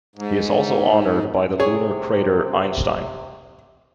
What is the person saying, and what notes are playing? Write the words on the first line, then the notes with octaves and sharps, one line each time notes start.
He is also honored by the lunar crater "Einstein".
G#2
C3 G#4 C#5